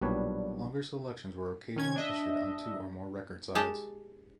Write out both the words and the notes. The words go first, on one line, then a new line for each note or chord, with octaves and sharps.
Longer selections were occasionally issued on two or more record sides.
B1 A#2 G3 D4 B4 C#5
D#3 C#4 G#6
D4 D#5 E5
G#3 G4 A5